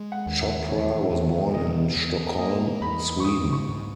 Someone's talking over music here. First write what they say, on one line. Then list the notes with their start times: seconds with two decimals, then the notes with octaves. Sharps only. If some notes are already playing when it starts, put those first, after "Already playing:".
Chopra was born in Stockholm, Sweden.
Already playing: G#3
0.12 F#5
0.26 D#2
0.40 E5
0.68 E2 C#5
1.11 D#3
1.54 B2 D#5
1.96 E2
2.39 A#3 D#5
2.81 E2 B5
3.20 C#6
3.24 G#2 D#6
3.53 C#6
3.67 G#2